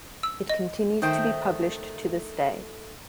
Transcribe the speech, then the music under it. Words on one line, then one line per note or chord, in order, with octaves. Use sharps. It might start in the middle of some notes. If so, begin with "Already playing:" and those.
It continues to be published to this day.
E6
D#5
D#3 A3 C5 G5